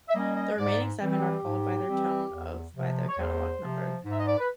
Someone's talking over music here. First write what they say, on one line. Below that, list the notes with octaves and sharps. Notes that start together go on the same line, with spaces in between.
The remaining seven are called by their tone of by their catalog number.
E5
G3 A#3 C#4 D#5
D#5
G#2 D5
E3 G3 C4
G4
G#2
E3 G3 C4
E2
C3 F3
C#5
E2 C5
C3 F3
G#2
E5
D#5
D5
B4